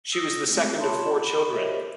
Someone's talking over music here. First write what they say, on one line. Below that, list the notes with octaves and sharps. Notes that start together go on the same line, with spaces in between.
She was the second of four children.
D#6 E6 A#6
G#3 A3 C4
F4 C#5 A5 B5 C6
B5
G4 A#4 C5 C#5 D#5 E5